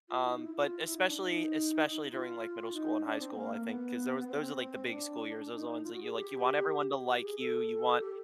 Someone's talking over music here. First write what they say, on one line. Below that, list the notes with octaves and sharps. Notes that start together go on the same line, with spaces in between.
Um, but especially especially during, like, middle school and high school, I think, 'cause those those are, like, the big school years, those are ones that you, like, you want everyone to like you, you want
F4
E4
D#4
E4
F4
E4
D#4
D4
D#4
F4
D#4
D4
C4
A#3
B3
C4
D4
D#4
F4
F#4
G#4
G4
G4
G#4
A4
G4